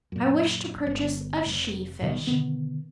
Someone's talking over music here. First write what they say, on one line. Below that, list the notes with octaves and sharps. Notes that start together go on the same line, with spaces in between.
"I wish to purchase a she-fish."
F#2 A#2
G1
F1
G1 B2 D#3 G3
B2 D3 D#3 B3